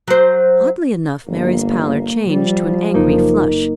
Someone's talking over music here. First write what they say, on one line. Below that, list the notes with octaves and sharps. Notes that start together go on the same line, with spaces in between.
Oddly enough, Mary's pallor changed to an angry flush.
F#3 C5
G1 A#3
F3 G3
F#1 A#3 D#4